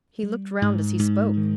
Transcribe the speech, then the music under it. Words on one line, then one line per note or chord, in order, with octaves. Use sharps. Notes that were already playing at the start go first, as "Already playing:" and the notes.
He looked round as he spoke.
G3
G#2
G#2
D#3